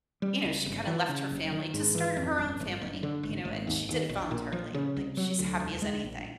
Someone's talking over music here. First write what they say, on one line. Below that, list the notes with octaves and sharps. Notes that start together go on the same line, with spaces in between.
you know, she kinda left her family to start her own family, you know, and she did it voluntarily. Like, she's happy as anything.
G3
C#2
G1
E3
C#3
F#1
D#3
G#2
E3
F2
G1
G1
F#1
D3
G#1
G#1
D#2
D#2
A#1
A#2
F3
C#3
C2
F#3
D2
E1
G#3
A#1